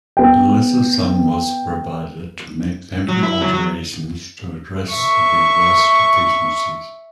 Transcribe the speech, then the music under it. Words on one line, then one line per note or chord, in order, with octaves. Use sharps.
A lesser sum was provided to make temporary alterations to address the worst deficiencies.
B3 G5
F#3
E4
F#3
F#3
E5 C#6